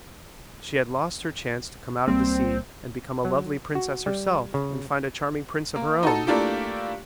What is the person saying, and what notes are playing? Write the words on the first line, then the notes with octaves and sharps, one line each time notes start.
She had lost her chance to come out of the sea and become a lovely princess herself and find a charming prince of her own.
C#2 G3 A#3 C4
F#3
F#4
G3
C#3
A#3
D#4 F#4 A4
A3 A#3 D4 E4 F4 G4